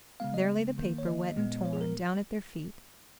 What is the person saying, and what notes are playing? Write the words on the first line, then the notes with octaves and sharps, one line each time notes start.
There lay the paper wet and torn, down at their feet.
C#3 G#3 B3 F5
D#5
D#3 A#3
C#5
D#5
A#2 G#3 B3
C#5
G#4
A#4